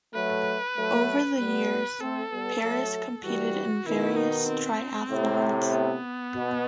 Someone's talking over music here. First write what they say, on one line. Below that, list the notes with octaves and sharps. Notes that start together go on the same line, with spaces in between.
Over the years, Paris competed in various triathlons.
F#3 A3 B4
F#3 A3
G3 B3 B4
A3 C4 A4
G3 B3
F#3 A3
E3 G3 F#4
B2 D#3 E4
D#4
C4
A2 C3
B3
B2